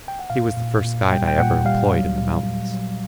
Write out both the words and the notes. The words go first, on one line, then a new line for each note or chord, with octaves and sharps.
He was the first guide I ever employed in the mountains.
G5
F#5
A#2 F5
A#2
A#2
G3 G5
G5
A#2 F#5
G3 F5
F#3
A#2
A#2
F#3